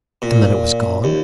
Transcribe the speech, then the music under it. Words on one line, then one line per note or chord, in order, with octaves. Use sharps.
'And then it was gone?'
A#2
D#2